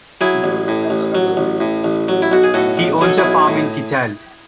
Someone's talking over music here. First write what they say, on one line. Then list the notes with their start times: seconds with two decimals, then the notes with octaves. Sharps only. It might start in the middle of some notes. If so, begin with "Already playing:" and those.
He owns a farm in Kitale.
0.21 F#3 E4 G#4
0.44 A1
0.68 A2
0.90 A1
1.15 F#3
1.37 A1
1.60 A2
1.84 A1
2.08 F#3
2.22 E4
2.32 B1 F#4
2.44 G#4
2.54 A2 F#4 A4
2.77 B1
3.01 F#3 G#4
3.09 A4
3.18 E4 G#4
3.24 B1
3.48 A2